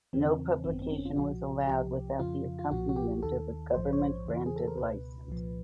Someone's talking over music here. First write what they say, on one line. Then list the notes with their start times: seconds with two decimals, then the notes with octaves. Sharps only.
No publication was allowed without the accompaniment of a government-granted license.
0.13 E2 C#3 E3 C4
0.64 G#1 F#2 D#3 C4
0.73 B3
0.82 C4
0.91 C#4
1.05 F4
1.16 B1 A#2 F3 F#4
1.67 C2 C3 F3 G4
2.19 F2 C#3 F3 F4
2.59 F4
2.71 B1 A#2 F3 F#4
2.89 F#4
2.96 G4
3.23 D#2 D#3 A4
3.74 A#1 G#2 F3 C5
3.93 C#5
4.00 C5
4.26 E2 C#3 E3
4.46 G#4
4.56 A4
4.68 A#4
4.77 C#2 B2 B4
5.29 C2 A#2 F3